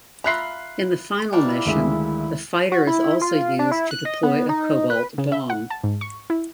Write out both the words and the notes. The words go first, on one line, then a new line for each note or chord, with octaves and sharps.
In the final mission, the fighter is also used to deploy a cobalt bomb.
F4 E5 A#5 B5 F#6 C7
G3 A#3 D4 E4
D2 D#3 G#3 E5
F#4
E4
F4
D4
E4
F#6
D#5
B3
D#4
B4
C#3
E5
F#5
A5
G#2
C#6
E4